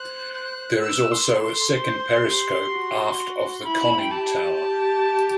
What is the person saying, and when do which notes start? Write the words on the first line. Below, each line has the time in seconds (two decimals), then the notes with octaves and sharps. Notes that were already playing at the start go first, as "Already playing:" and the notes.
There is also a second periscope aft of the conning tower.
Already playing: C5 F#6
0.33 F#6
0.80 B4 E6
1.11 C6
1.28 A4
1.43 C6
1.75 C5
2.22 G4
2.69 F#4
3.63 E4 B5
3.99 G5
4.11 G4 A5